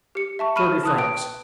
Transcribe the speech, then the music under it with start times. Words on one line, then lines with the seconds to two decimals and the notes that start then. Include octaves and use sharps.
"Thirty francs."
0.15 G4 C#7
0.39 E5 A5 C#6
0.56 B5 C#6 F6 D#7 E7
0.83 A5 D#6 F#6
0.98 B4 G5 D7